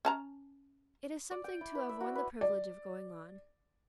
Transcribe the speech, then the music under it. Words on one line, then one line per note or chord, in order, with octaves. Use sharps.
It is something to have won the privilege of going on.
C#4 A5 A#5
D5
G5
E4
B4
E5
F#4
B4
D5